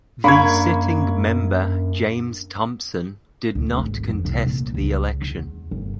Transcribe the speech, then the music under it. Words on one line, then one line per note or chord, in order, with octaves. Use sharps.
The sitting member James Thompson did not contest the election.
F#2 A#3 D4 B5 C#6 G#6
D2
G#1
F2
C2
A#2
C#2
E2
G1